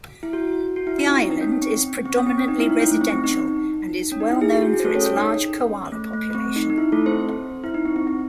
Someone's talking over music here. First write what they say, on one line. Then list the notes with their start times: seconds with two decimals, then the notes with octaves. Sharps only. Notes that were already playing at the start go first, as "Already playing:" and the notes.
The island is predominantly residential and is well known for its large koala population.
0.23 E4
0.33 F#4
0.76 F#4
0.87 E4
0.98 D#4
1.09 C#4
1.19 C4
1.30 D#4
1.41 C#4
1.52 C#4
1.62 C4
2.06 C4
2.16 C#4
2.27 C4
2.38 C#4
2.48 D#4
2.59 E4
2.70 D#4
2.80 C#4
2.91 A3
3.01 C4
3.12 C4
3.24 D#4
4.12 C#4
4.20 D#4
4.31 E4
4.41 G#4
4.52 F#4
4.63 F#4
4.73 G#4
4.80 C5
4.85 A3 A4
4.95 C#4 C#5
5.06 C#4 C#5
5.16 D#4
5.27 C#4
5.92 A3
6.13 A3
6.30 A3
6.35 C4
6.56 D#4
6.70 D#4
6.78 E4
6.92 A3 A4
7.06 C4 C5
7.64 E4
7.74 D#4
7.85 C4
7.96 C4
8.07 C4